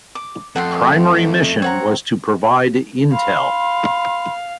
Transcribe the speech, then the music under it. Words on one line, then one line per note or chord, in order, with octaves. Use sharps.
Primary mission was to provide intel.
D6
F2 A3 F#5 G5 C6
C4 C#5 F#5 A#5
F5 B5 C6